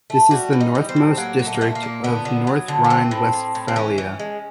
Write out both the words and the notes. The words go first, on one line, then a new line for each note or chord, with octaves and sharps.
This is the northernmost district of North Rhine-Westphalia.
A3
G3 F#4
E3
D#4
G3
C4
A2
F#3 A#3
A#2
A3
A#3
A#2 A3
A#3
A#2
D3 B3
D3
F#3
D3
B3
E3 C4
A2
A2
A2
C4
E3 C#4
E3
G#3